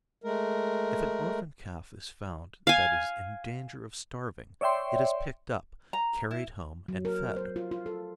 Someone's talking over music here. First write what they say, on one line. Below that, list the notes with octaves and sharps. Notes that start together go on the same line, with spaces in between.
If an orphan calf is found that is in danger of starving it is picked up, carried home and fed.
G#3 A3 A#4
F5 G#5
C#5 D5 E5 G5 C6
A#5
E4
F#3
A#4
C5
F4
F4
A4